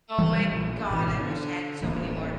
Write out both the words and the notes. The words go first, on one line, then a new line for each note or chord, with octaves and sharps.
Oh my God, I wish I had so many more
E3 G3 A3
A#1
G#1 B2 E3
D3
D1 A1 A2 A#3